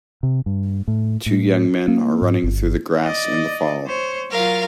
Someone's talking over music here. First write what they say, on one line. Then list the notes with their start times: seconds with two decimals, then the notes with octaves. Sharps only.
Two young men are running through the grass in the fall.
0.23 C3
0.46 G2
0.88 A2
1.26 A2
1.88 A#3
2.22 G#2
2.44 G1
3.03 D5 D#5
3.87 C5 C#5
4.31 F#3 F4 A#4 F5